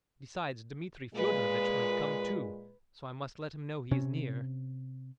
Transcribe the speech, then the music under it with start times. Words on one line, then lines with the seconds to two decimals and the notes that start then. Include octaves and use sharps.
Besides, Dmitri Fyodorovitch might come, too, so I must let him know he is near.
1.15 A#2 G#3 B4
3.91 C3 C#4